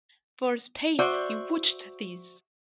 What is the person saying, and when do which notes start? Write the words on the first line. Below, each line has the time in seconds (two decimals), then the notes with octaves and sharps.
For a space he watched these.
0.99 F#4 C5 D5 E5